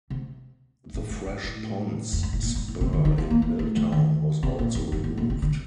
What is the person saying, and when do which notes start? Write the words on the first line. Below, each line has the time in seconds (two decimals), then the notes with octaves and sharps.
The Fresh Ponds spur in Milltown was also removed.
0.10 C3
0.94 A2
1.10 G2
1.26 G2
1.43 A2
2.13 F2
2.23 G2
2.33 A2
2.43 A#2
2.55 G2
2.68 A2
2.81 C3
2.93 D#3
3.05 D#3
3.18 F3
3.30 A#3
3.42 A#3
3.59 A3
3.76 F3
3.92 D#3
4.43 C3
4.59 A#2
4.75 F2
4.92 G2
5.04 A2
5.17 A#2
5.30 C3
5.42 D3
5.51 C3